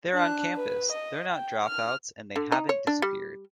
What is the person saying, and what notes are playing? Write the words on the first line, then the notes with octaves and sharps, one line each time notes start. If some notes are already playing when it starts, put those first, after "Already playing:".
They're on campus, they're not dropouts and they haven't disappeared.
D4 F#6
B4
D#5
G5
F6
D3
D#4
C#5
D4
G3